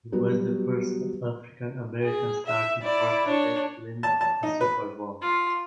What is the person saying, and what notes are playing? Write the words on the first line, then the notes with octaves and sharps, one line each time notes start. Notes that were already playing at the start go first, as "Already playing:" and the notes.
He was the first African-American starting quarterback to win a Super Bowl.
F#3 G3 B3 F#4
G#4
E5
E4 D5
D4 C#5
A5
A5
D#4
B4
F4